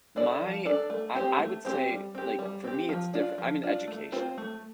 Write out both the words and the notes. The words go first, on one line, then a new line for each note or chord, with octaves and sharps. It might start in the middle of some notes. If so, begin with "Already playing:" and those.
my I I would say, like, for me it's different. I'm in education
D4 A4 D5
F3
D4 A4 D5
A3
C4 G4 C5
A3
C4 G4 C5
G3
C4 G4
G3
C4 G4
F3
D4 F4
F3
D4 F4
A3
C4 F4 C5
A3